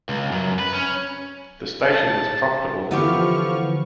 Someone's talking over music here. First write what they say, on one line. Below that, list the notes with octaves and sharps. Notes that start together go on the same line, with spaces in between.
The station was profitable.
C#2
F#2
B4
C#4
A5
D3 E3 F3 B3 E4 G4 C#6 F6